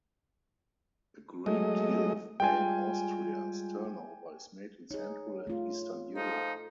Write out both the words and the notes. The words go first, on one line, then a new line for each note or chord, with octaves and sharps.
A great deal of Bank Austria's turnover is made in central and eastern Europe.
F#3 G#3 A3 D#5
G3 G#3 F4 G5 G#5
D#4 G#4 C#5
A3 F4
F3 D#4 A4